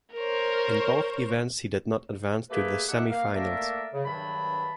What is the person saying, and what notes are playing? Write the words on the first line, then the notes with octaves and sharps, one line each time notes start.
In both events he did not advance to the semifinals.
A#4 C5 C#5
A3 A#3 G4 G#4 A#4 B4
A3 D#4 G4 E5 F#5
A#3 F5
A3 A#3 A#4 D5 E5
C#3
E2 G2 D#3 F#3 D4 B5